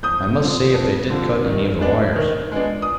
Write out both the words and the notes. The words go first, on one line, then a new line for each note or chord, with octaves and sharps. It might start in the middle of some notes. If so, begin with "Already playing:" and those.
"I must see if they did cut any of the wires."
F2 D#6 G6
D3 F3 C4
F2
D3 F3 C4
D#3
G#3 B3 D4
D#3
G#3 B3 D4
D#6